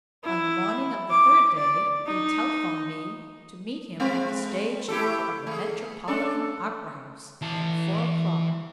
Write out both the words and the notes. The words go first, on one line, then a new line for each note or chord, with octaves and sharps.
On the morning of the third day he telephoned me to meet him at the stage-door of the Metropolitan Opera-House at four o'clock.
E4
D6
D5
D#4
G#3 C4 B4
E4 G4 A4
A3 G#4
C#4 D4 A4
E3 A5